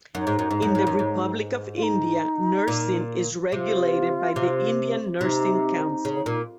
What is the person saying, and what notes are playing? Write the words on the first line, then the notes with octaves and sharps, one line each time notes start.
In the Republic of India nursing is regulated by the Indian Nursing Council.
F#2 D#4
G#2
F#2
G#2
F#2
G#2
F#2
G#2
F4
D#4
A#2
C3 F4
C3
C3 D#4
C#3
A#2